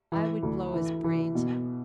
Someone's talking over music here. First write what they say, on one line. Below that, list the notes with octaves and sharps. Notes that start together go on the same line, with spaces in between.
'I would blow his brains out.'
E3
D2
E3
E3
B2